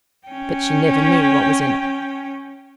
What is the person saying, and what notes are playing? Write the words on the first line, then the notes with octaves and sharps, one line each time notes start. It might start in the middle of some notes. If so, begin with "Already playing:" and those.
But she never knew what was in it.
C#4 G5